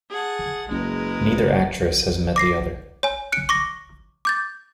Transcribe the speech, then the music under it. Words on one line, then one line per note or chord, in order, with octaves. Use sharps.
Neither actress has met the other.
G#4 F#5 A5
F#1 G#3 A#4 B4
D6 A#6 C7
C#5 G#5
F#6 C#7 D7
C#6 D6 A#6
D6 G6 A6